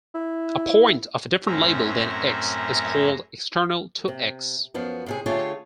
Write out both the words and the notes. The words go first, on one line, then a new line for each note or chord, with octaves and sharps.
A point of a different label than "x" is called external to "x".
E4
F#2 A2 C4 C#4 E5 A#5
C3
F#2 F3 B3
A2 C3 G#4
D3 A3 F4 G4 G#4 C#5